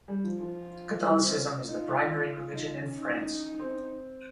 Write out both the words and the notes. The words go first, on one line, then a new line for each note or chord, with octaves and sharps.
Catholicism is the primary religion in France.
G3
F3
F3 F4
G3
C4
C#4
D#4 F4
D#4
C#4
D#4
C4